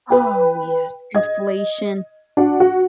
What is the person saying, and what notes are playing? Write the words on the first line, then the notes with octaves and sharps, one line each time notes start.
Oh, yes, inflation.
B4 G5
D#5 G#6
D4 F#4 F#5
F#4